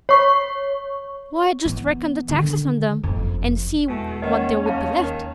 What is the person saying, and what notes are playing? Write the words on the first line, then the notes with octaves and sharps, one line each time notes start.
Why, just reckon the taxes on them, and see what there would be left!
C#5 C#6
E3 B3
D3 D#3
F#1 F2
E2 B2 G#3 A3 A4
D#3 A#3 C#4 C#5 D#5 F#5
D#2 C#3 F5 A5
D#3